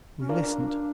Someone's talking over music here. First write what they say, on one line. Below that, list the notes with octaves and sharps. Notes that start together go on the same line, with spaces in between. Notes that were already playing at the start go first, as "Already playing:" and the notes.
We listened.
C#4
D4 F4 A#4 D5 F5